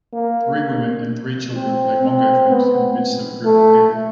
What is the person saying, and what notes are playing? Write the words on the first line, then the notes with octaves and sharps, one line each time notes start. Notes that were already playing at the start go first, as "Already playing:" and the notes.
Three women and three children play bongo drums in the midst of a group of people.
A#3
C4
C4
B3
A3